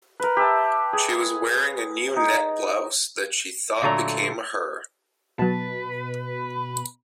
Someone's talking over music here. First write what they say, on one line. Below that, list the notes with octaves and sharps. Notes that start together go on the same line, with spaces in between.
She was wearing a new net blouse that she thought became her.
A#4 B4
G4 E5 A5
G#4
D#4
A#2 D3 F#3 A3 A#5
B2 F#3 B4 A5